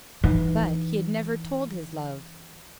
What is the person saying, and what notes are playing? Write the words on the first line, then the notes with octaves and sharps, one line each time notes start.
But he had never told his love.
E3 D#4